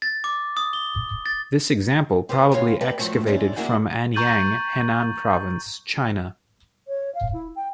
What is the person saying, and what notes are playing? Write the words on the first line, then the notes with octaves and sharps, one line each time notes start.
This example probably excavated from Anyang, Henan province, China.
A6
D6
D#6
G7
A6
C4 G4 B4 C5
D2 B3 F4 C#5 F5
G4 B4 D5 G5 A5
F3 F#3 A3 C4
F2 G#2 C#4 D4 E4
A#3 D4 E4 F#4 G#4
A#5 C#6 G6 A6 D#7 F#7
C#5
F5
E4
G5